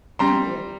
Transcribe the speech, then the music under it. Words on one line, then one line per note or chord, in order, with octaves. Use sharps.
No, yeah.
G3 A#5 C6